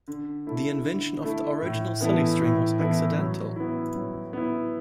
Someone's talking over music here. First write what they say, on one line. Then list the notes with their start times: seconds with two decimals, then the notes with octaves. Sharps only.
The invention of the original silly string was accidental.
0.08 D3
0.47 A3 E4 A4
0.85 D3
1.24 A3 E4 A4
1.62 A2
2.01 E3 B3 E4 A4
2.39 A2
2.79 E3 B3 E4 A4
3.17 F#3
3.56 B3 E4
3.95 F#3
4.33 B3 E4